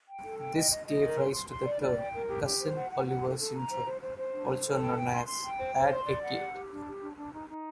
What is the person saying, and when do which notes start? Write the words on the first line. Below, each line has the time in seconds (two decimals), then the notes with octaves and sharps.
This gave rise to the term "Cousin Oliver Syndrome", also known as "add-a-kid".
0.08 G5
0.24 A4
0.39 G5
0.56 D#5
0.71 D#5
0.87 D#5
1.03 A#4
1.19 C6
1.34 C6
1.49 C6
1.65 D5
1.82 D5
1.97 G5
2.13 A#4
2.29 G4
2.44 G4
2.60 C5
2.76 F#5
2.92 F#5
3.07 F#5
3.24 A4
3.39 A4
3.54 A#5
3.70 C5
3.86 C5
4.02 C5
4.17 C5
4.33 D4
4.49 C5
4.65 A4
4.81 G5
4.96 G5
5.12 C6
5.28 C6
5.44 G5
5.59 C5
5.76 C5
5.91 C6
6.06 D5
6.22 F#5
6.38 G4
6.53 G4
6.70 D4
6.86 G4
7.01 D4
7.17 D4
7.33 D#4
7.49 D#4